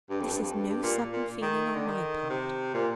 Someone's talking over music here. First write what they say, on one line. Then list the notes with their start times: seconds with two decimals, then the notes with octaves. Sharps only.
This is no sudden feeling on my part.
0.10 G2
0.20 F2
0.31 G2
0.42 F2
0.54 G2
0.68 G2
0.83 A#2
1.12 A#2
1.42 D#3
1.74 D3
1.87 D#3
2.30 C3
2.74 A#2